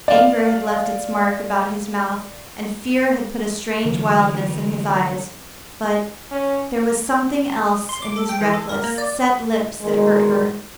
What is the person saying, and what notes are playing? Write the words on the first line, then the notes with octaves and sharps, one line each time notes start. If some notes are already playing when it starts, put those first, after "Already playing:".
Anger had left its mark about his mouth, and fear had put a strange wildness in his eyes--but--there was something else in his reckless, set lips that hurt her.
D5 F5
D3 E3 F#3 A3
C#4
C6
D6
A4
G5
E3
A4
A#4
A#3
D5
E2 B2 D#3 G#3